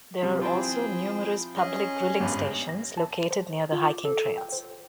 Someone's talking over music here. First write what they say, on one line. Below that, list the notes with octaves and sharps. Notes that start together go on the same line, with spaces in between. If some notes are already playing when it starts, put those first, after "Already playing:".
There are also numerous public grilling stations located near the hiking trails.
F#2 C3 G3
F3 C4 E4 F4 G#4 C5 G5
C#4 G#4 D#5
G#1 E2 G2
A#6
A5
C5
F4
D6
A4
G5
C5